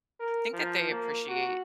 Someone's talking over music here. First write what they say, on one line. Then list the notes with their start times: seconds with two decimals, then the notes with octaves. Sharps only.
think that they appreciate
0.20 A#4
0.53 F3
0.90 A#3
1.28 F#4